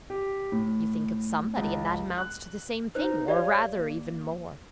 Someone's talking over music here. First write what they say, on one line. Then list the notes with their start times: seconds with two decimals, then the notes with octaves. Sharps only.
"You think of somebody, and that amounts to the same thing, or rather even more."
0.10 G4
0.52 A2
1.57 C#2
2.18 F#6
2.95 D#4 B4 C5
3.28 G4 C#5 D5 F5
3.76 A#3